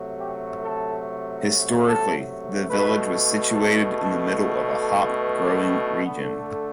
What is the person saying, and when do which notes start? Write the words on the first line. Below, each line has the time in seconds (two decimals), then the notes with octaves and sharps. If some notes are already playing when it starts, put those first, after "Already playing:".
Historically, the village was situated in the middle of a hop-growing region.
Already playing: C3 F#3 A3
0.19 G4
0.61 A4
1.87 A4
2.70 B2 A3 B4
3.54 A4
3.96 A4
4.79 A4
5.21 B4
5.63 C4
6.05 D3 A3 B3